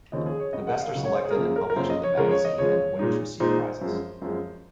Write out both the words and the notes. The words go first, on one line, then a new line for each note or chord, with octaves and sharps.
The best are selected and published in the magazine and the winners receive prizes.
D#2 C#3 F3 C4 D#5
G#4
C#5
C#2 C#3 F#3 D#5
F#5
F5
C#2 C#3 F#3
C#5
C5
G#4
A#4
F#2 C#3 F3 A#3 G#4
A#4
A#4
F#2 C#3 F3 A#3 C5
D#5
C#5
C#3 F3 G#3 A#4
C#5
D#5
C#3 F3 G#3 C#5
A#2 G#3 D#4
A#2 G#3 D#4 C5
F#2 F3 G#3
F#2 F3 G#3